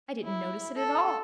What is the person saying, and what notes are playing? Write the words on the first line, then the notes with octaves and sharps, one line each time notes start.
"I didn't notice it at all."
E4
A4